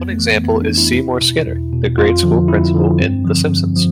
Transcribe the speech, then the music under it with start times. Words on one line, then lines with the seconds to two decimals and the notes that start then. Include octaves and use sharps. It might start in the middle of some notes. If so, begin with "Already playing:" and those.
One example is Seymour Skinner, the grade-school principal in "The Simpsons".
Already playing: F2 B3
0.10 A3
0.19 E3
0.28 B3
0.44 F2 B3
0.62 D4
0.70 E3
0.78 E4
0.95 E2
1.21 B2
1.47 E2
1.72 B2
1.98 F2 F4
2.23 D3 F3
2.48 F2 E4
2.75 D3 F3
2.99 G2 C4
3.25 D3 F3
3.51 G2
3.76 F3